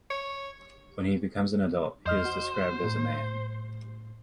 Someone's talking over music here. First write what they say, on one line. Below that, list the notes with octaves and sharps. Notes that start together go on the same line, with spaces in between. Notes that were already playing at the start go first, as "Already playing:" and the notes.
When he becomes an adult, he is described as a man.
C#5
F2 C5 D#5 F6
F#4
A2